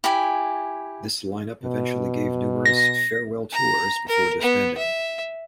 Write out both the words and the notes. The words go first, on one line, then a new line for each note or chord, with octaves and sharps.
This line up eventually gave numerous 'farewell tours' before disbanding.
E4 G4 G#5
B2
A#6
A#5
A#4
B3
E5